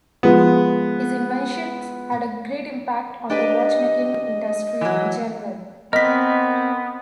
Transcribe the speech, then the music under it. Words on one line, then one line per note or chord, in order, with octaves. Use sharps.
His inventions had a great impact on the watchmaking industry in general.
F3 G#3 B3
D4 G4 B4 D#5
E3 F#3
B3 C4 A#4 D#5 B6